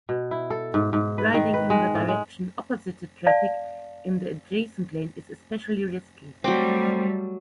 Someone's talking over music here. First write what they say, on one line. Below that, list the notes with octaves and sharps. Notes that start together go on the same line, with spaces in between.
Riding in the direction opposite to traffic in the adjacent lane is especially risky.
B2
E4
A4
G#2
G#2
B4
D#3
B4
G#3
A2
G#3
D5 F5 A5
F#3 G3 A3 C4 G5 D6